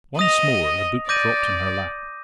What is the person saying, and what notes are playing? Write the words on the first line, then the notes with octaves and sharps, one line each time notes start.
Once more the book dropped on her lap.
D#5 D#6 A#6 F7
D5 D6 G6 A#6 D#7